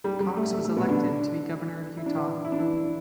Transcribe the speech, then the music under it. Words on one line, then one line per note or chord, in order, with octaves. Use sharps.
Cox was elected to be Governor of Utah.
G3
G3
A3
A3
A3
B2 B3
D3 D4
E4
D4
E3 E4
E4
D4
E3 E4